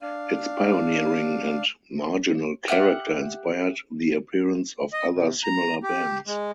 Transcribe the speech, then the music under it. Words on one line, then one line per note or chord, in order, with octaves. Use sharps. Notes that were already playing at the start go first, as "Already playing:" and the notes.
Its pioneering and marginal character inspired the appearance of other similar bands.
D4 F5
G4 E5 F#5 F6
D#5
C3
A#5
G4
G#3